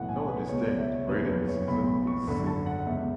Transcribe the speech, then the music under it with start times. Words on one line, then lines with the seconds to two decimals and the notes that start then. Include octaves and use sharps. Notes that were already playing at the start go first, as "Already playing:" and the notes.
No distinct breeding season is seen.
Already playing: B1 A2 E3 F#5
0.09 G#5
0.28 B4
0.48 C#2 B2 C#5
0.64 D5
0.79 E5
0.94 C#5
1.08 F#1 E2 B2 B4
1.28 B4
1.48 C#5
1.67 B1 B2 B5
1.88 B5
2.07 C#6
2.27 G#1 F#2 D3 B5
2.47 A5
2.66 F#5
2.86 C#2 B2 E5